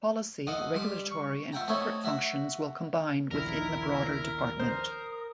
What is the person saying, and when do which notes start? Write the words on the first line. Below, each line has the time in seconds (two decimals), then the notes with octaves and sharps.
Policy, regulatory and corporate functions will combine within the broader department.
0.47 D3 D#5 F5 F#5
0.74 G3 C6 D6
1.11 C#6
1.52 F4 E5 F#5 G5 A#5
1.68 A3 C4 D#4 E4 A4 C#5
2.04 F#4 E5
3.31 D#1 A#1 E4 A#4
4.60 C5 D#6